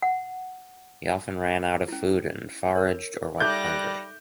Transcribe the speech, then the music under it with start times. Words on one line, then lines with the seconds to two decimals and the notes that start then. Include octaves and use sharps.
He often ran out of food and foraged or went hungry.
0.02 F#5
1.88 C#4 E4
2.75 A#4 C#5
3.40 G3 D#4 A4 E5 D6 F#6 G6 A#6